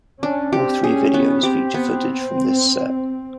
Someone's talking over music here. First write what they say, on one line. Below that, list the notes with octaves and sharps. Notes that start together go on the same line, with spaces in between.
All three videos feature footage from this set.
C#4 D4
C4 G4
C#4 G#4
B3
C4 G4
B3